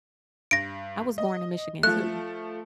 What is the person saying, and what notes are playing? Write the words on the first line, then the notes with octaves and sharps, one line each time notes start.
I was born in Michigan too.
G2 A#6 D7
D#5
F3 A3 F#6